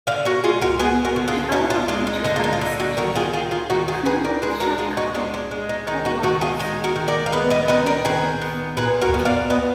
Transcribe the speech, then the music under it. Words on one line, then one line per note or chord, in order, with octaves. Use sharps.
The album features artists such as Mopreme Shakur, Outlawz, and Imaan Faith.
D3 D5 F5
F#4 A#4
G#3 F4 G#4
F#4 A#4
B3 G#4 B4
F#4 A#4
D3
F4 G#4
B3 D#4 F#4
D4 F4
G#3 D4 F4
D#4
D3 D#4
F4
D#4
F4
D3 D#4
D#4 F#4
D#3 F#4 A#4
F4 G#4
D#3 F4 G#4
F4 G#4
D#3 D#4 F#4
F4 G#4
D#3 G#4 B4
A#4 D5
G#3 G#4 B4
F#4 A#4
G#3 F4 G#4
D#4 F#4
G#3 D4 F4
D4
G#3
D#4
D#3 D#4
D#4 F#4
D#3 D#4 F#4
F4 G#4
G#3 D#4
F#4 A#4
D#3
A#4 D5
F5
B3 B4 D#5
B4 D#5
D#3 B4 D#5
A#4 D5
D#3 G#4 B4
B3
A#2 G#4 B4
F#4 A#4
B3
D5 F5
B3 B4 D#5